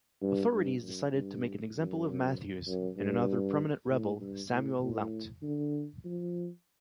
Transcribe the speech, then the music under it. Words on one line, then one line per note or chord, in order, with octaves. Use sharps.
Authorities decided to make an example of Matthews and another prominent rebel, Samuel Lount.
G2
G2
F#2
G2
F#2
F#2
G2
A2
G2
A2
A2
D3
F3